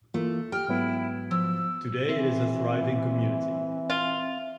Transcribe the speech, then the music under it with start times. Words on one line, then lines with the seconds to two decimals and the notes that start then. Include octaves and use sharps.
Today it is a thriving community.
0.14 E3 A3 A#3 F4
0.52 G4 G5 F6
0.68 G#2 F#3 B3 E4
1.31 F3 E6
2.09 E3 C4 E5
3.90 F4